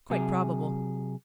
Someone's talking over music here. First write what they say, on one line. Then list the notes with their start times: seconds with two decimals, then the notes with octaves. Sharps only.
"Quite probable."
0.10 C3 F#3 G#4